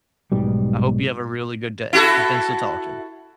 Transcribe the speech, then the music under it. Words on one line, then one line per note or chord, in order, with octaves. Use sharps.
I hope you have a really good day, and thanks for talking.
B1 G#2 B2 G3
E4 F#4 A4